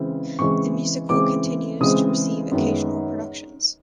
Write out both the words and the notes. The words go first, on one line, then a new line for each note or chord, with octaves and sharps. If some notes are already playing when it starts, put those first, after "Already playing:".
The musical continues to receive occasional productions.
Already playing: C#3 E3 G#3 C4
C#3 E3 G#3 C4 C#6
C#3 E3 G#3 C4 D6
C#3 E3 G#3 C4 D#6
F#2 D#3 G#3 B3